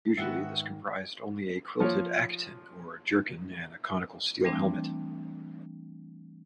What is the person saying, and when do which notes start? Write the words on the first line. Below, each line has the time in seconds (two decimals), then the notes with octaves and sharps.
Usually this comprised only a quilted "aketon" or jerkin and a conical steel helmet.
0.17 G#2 D#3 B3 F#4 E5
1.80 F3 C#5
4.44 E3 G3 A3 C4 D4